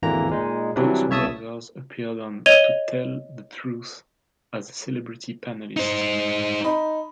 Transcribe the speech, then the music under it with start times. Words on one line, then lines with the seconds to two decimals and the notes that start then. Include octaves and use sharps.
Both brothers appeared on "To Tell the Truth" as celebrity panelists.
0.03 G#1 E2 D3 E3 A#3 A#5
0.29 A#2 G#3 D#4
0.76 C3 E3 F#3 G3 D4
1.09 C2 C#3 C#5 E5 A5 D#6
2.46 C#5 D#5 G#6 D#7 F7 G7
5.77 D#4 C5
6.64 D#4 B5